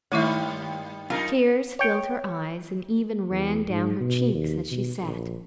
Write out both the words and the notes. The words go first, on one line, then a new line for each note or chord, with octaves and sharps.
Tears filled her eyes, and even ran down her cheeks as she sat.
G2 D#3 G3 A3 E4 C#5 E5
F#2 D#4 F4 A#4
C#5 G5
E2
G#2
B2
D#2
B2
A#1